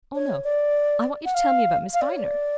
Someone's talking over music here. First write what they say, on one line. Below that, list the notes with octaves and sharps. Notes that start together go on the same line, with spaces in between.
"Oh, no. I want you to tell me about Miss Viner."
C#5
D5
F#5
F5
F5
D5
C#5
D5